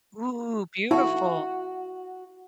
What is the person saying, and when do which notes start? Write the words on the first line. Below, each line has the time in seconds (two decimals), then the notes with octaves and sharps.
Ooh, beautiful!
0.91 E4 F#4